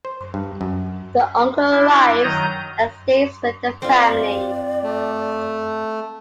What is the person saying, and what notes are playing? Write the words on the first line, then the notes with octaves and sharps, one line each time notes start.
The uncle arrives and stays with the family.
C5
G2
F#2
D4 E4
D#3 F#3 A#5 D#6 G6
C4 F4 D5
A3